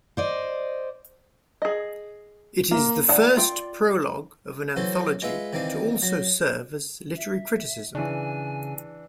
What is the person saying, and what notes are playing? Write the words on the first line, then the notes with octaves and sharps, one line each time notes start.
It is the first prologue of an anthology to also serve as literary criticism.
C5 D5 D#5
G#4 D#5
A#3
E3 D5 F#5 A5
F4 G5
E3 F#3 F#4 A4 C5
G#3 F4 B4 E5 F#5
D#3 E3 C4 D4 F5
F#3
E5
C#3 E3 D4 G#5